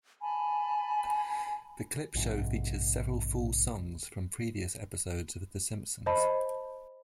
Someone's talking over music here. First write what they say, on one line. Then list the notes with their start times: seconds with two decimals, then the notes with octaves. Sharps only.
The clip show features several full songs from previous episodes of "The Simpsons".
0.22 G#5 A5 B5
2.15 A#1 G#2 C3
6.06 C5 D#5 A5 B5